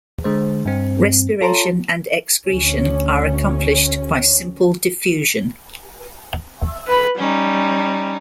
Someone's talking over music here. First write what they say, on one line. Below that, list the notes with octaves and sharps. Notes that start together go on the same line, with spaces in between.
Respiration and excretion are accomplished by simple diffusion.
D3 G#3 C5
G2 C4
F4 A4 C#5 A5 A#5 C6
D2 C#4
B4 B5
G3 C#4 D#4